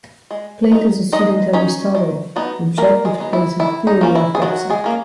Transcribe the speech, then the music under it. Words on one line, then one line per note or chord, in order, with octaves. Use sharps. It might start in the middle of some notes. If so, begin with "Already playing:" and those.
Plato's student Aristotle objected to Plato's theory of doxa.
G#3
D#4
G#3 D#4 D#5
C#4 D#4 C#5
D#3
F#3 B3 D#4
D#3 A#3 A#4
G#3 G#4
F#3 B3 D#4
E4
D#3 E4
D#4
A#3 C#4
E4
G#4
D#3 F#3 F#4
G#3 G#4
A#3 C#4